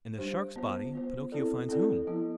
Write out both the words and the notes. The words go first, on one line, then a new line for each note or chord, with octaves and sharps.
In the Shark's body Pinocchio finds whom?
G3 D4 G4 C5
B3 F4 C5
B3 F4 C5
C4 E4 A4 D5
C4 E4 A4 D5
F3 B3 E4